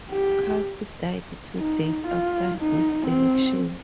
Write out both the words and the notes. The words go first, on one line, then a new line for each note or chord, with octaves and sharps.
Cust died two days after this election.
G4
D#4
F4
D#4
C4